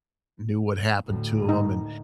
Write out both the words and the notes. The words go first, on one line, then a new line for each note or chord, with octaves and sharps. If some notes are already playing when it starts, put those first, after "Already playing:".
knew what happened to him, and,
D2 A2
D#4